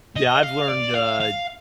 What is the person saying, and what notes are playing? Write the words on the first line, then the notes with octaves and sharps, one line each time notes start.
Yeah, I've learned, uh,
D#5
F5
D5
F5
F5